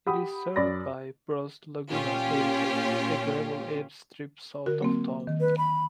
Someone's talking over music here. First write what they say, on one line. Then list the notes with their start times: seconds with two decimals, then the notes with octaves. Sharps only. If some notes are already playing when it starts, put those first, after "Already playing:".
It is served by Brus Laguna Airport, a gravel airstrip south of town.
0.07 G4 F#5 B5 D#6
0.56 F#2 D5 B5 A#6
1.90 A#2 C#4 F4 G4
4.66 D3 F#4 A#4
4.80 F#3 A#3 C4
5.27 D#3
5.40 B4
5.58 B5